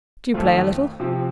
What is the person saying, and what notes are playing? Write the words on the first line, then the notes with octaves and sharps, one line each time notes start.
"Do you play a little?"
F2 D#3 A3 C4 F4
C3 F3 C4 G4